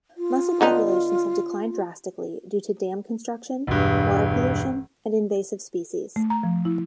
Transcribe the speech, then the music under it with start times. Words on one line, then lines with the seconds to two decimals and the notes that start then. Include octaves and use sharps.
Mussel populations have declined drastically due to dam construction, water pollution, and invasive species.
0.17 F4
0.61 D3 B3 D#4
3.67 E1 G2
6.16 A3
6.30 A#5
6.43 F3
6.65 E4